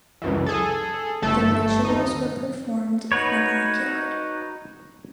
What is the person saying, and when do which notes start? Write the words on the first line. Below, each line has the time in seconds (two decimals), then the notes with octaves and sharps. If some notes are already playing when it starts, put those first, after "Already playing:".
The rituals were performed in the backyard.
0.22 C#2 F#2 E3
0.46 G#4 A4
1.22 G1 A3 A4
1.85 D#2 D#4
3.12 D#4 F#4 B4 C#5